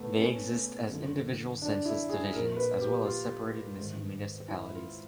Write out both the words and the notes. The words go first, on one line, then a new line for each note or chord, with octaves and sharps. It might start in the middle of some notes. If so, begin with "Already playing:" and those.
They exist as individual census divisions, as well as separated municipalities.
Already playing: E2 B2 A3 B3
C#4
F#2 D3 F3
D4
E4
G#4
A#2 F3 A#4
B4
G4
F4
G#2 D#3
E4
F4